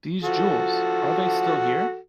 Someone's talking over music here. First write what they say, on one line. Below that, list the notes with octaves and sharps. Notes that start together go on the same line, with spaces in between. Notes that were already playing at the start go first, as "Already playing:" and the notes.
These jewels — are they still here?
F3 F#4 A4